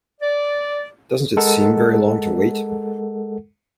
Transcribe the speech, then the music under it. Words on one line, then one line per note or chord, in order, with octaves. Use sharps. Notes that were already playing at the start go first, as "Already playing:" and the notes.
Doesn't it seem very long to wait?
D5
G#3 A4 A#4 F#5